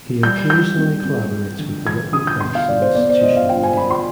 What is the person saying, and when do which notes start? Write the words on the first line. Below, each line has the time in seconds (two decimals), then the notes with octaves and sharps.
He occasionally collaborates with the written press and institutional media.
0.23 G3 G6
0.50 G3 G6
0.77 C4
1.05 C4
1.32 G3
1.59 D3
1.87 D3 G#6
2.13 D3 D#6
2.27 G6
2.40 B2 C6
2.55 F5
2.68 B2 D5
2.82 C5
2.95 B3 D5
3.09 D5
3.22 B2 D#5
3.37 F5
3.49 F4 G5
3.63 G#5
3.77 F4 B5
3.91 C6